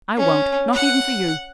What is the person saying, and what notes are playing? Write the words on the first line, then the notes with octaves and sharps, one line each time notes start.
I won't, not even for you.
C#4
F#5